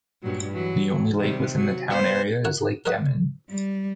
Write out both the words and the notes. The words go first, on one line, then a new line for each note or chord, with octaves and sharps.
The only lake within the town area is lake Demmin.
G2 A#2 F#3
E3 F#3
C3 D#3 G3
F#3
B3 C5
E4 A#4 C#5 F#5
A#4 B4 C#5 D#5 F#5
G3